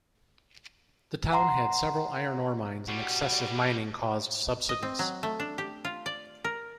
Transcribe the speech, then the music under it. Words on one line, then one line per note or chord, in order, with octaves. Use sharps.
The town had several iron ore mines and excessive mining caused subsidence.
F#5 A#5 C6
B2 G3 F#4
D#5
C4
F#3
A3
D4
G4
F4
D5
A#4